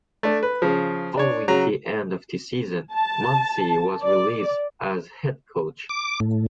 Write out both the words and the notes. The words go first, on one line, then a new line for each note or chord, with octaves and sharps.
Following the end of the season, Munsey was released as head coach.
A3 D4
B4
C#3 F3
D4 C#5
C#3 F#3 A#5
A5
D5
D6
A2